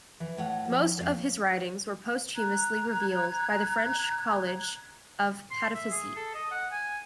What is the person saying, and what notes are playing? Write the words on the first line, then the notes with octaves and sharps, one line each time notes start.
Most of his writings were posthumously revealed by the French College of 'Pataphysique.
E3
A2 C#5 F#5
F3
F2 C4 F4 F5
A#5 F#6 G#6
C6
E5
G#4
A4
D#5
F#5
G#5